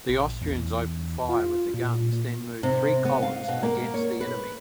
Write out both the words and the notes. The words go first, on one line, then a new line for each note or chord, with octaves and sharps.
The Austrians opened fire with the guns, then moved three columns against the enemy.
A#1
E2
F4
A#2
A#2
C3
B3
F5
B2
A#3
C#5
B4